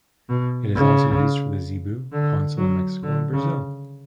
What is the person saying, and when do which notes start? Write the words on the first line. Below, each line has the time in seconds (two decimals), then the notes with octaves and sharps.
It is also used for the Zeebo console in Mexico and Brazil.
0.29 B2
0.75 C#3
2.12 D3
2.58 F#3
3.03 D3
3.33 C#3